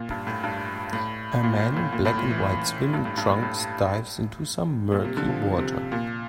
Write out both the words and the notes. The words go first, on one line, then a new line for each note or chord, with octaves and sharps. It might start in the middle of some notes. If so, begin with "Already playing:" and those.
A man in black and white swimming trunks dives into some murky water.
Already playing: A#2
G2
A2
G2
A2
A#2
A2
A2
A#2
A2
A#2
E3
G2
A2
G2
A2
A2
A#2
C3
D3
F3
C3
A#2